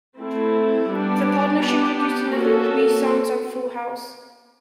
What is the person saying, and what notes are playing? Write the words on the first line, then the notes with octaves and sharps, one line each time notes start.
The partnership produced another three songs on "Full House".
A3 C4 E4
G3 B3 D4
B3 D4 G4
A#3 C#4 F#4 A4